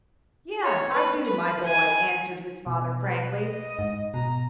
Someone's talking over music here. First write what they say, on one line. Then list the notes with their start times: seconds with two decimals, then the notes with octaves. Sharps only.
"Yes, I do, my boy," answered his father, frankly.
0.63 C#5
0.93 B4
1.25 B4
1.64 G#5
2.67 B2
3.04 B4
3.42 D#5
3.79 G#2
4.14 B2 A#5